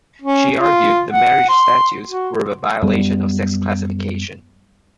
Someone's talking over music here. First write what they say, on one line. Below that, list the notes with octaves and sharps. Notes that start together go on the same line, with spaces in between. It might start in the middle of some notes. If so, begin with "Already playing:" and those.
She argued the marriage statutes were a violation of sex classification.
C#4
F4
F#5
C6
F#4
F#2 G3 B3